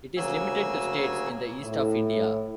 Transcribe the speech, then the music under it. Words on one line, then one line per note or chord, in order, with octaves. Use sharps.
It is limited to states in the East of India.
D2 C#3 F#3 A#3 G#5 E6
A2